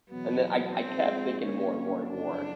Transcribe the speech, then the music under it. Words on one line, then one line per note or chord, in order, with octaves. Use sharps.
And then I I kept thinking more and more and more,
E2 B2 F#3 B3
A#1 G#2 F3 G#3 C4
G2 D3 G3 A#3 C#4
F#1 F2 C#3 D4